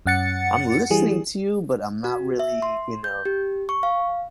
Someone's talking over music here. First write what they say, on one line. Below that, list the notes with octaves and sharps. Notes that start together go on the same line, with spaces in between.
"I'm listening to you, but I'm not really, you know,
F#2 C#4 F#5 A6 C#7
E3 G3 G#4
F#4
E5
C6
G6
G4
C#6
F5